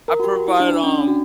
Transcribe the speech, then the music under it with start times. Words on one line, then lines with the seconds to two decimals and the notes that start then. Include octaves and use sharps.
I provide, um,
0.08 A#4
0.20 F#4
0.24 G4
0.36 F#4
0.48 E4
0.60 D4
0.83 C#4
0.96 D4
1.07 F#4